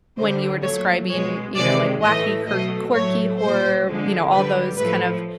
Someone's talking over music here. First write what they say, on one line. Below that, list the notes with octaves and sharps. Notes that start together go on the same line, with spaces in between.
When you were describing, you know, like wacky, kirk quirky, horror, you know, all those kind of
D3 G3 C5
A#2 F#3 A3 C#5
B2 G#3 C#5
C3 D#3 G#3 D5
A2 E3 A3 D#5
B2 F#3 A3 D#5
A2 F#3 A3 C#5
A#2 G3 C5
D3 F3 G#3
D3 G3 B4
A2 F3 A3 B4